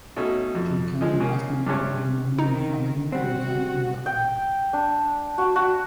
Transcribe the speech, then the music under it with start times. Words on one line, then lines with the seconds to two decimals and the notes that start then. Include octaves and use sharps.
She became the last member of the Molyneux family to reside in the hall.
0.17 B2 A3 C#4 D#4
0.55 F2
1.01 F3 G#3
1.20 C#3 A#3
1.67 G2 C3 C#4
2.39 C3 D#3 D#4
3.12 G3 C4 F#4 F#5
4.06 G5
4.73 D4
5.38 F#4
5.56 F#4